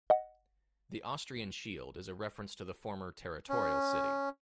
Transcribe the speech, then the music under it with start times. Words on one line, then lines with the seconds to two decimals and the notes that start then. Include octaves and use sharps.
The Austrian shield is a reference to the former territorial city.
0.10 D#5 F#5
3.49 C#4